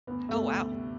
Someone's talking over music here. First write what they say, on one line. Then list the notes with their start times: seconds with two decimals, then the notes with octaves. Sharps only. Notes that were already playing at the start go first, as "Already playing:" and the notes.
Oh, wow.
0.07 D2 B3
0.28 C3 G3 A3 B3
0.50 D2
0.71 C3 G3 B3